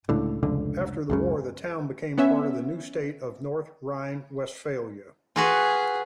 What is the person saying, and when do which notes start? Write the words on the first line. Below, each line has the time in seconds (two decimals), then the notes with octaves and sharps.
After the war the town became part of the new state of North Rhine-Westphalia.
0.09 C#2 A2 D3
0.43 F1 C#2 D3
1.10 C#2 F#2 C#3
2.18 B3 C#4 E5
5.36 F4 F#4 G#4 B4